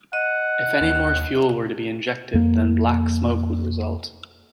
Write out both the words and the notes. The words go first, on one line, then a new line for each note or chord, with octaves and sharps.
If any more fuel were to be injected then black smoke would result.
D#5 F#5
D#2
F2 A#3